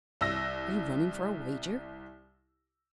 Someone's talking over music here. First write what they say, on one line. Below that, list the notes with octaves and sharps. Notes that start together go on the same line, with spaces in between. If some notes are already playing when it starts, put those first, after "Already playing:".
"Are you running for a wager?"
C2 E6 A#6